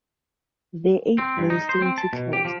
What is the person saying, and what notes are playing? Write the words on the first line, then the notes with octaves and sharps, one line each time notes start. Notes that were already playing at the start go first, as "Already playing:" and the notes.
There ain't no santy clause!
C4
G2
D#4
C5
C4
A5
B2
G4
F3